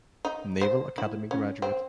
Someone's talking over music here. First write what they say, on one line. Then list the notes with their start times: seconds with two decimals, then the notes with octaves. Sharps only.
Naval Academy graduate.
0.25 D#4
0.61 C5
0.98 E4
1.31 C#4
1.62 C4